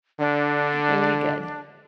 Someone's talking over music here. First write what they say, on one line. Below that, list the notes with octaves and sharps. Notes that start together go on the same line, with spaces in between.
It'll be good,
D3 D4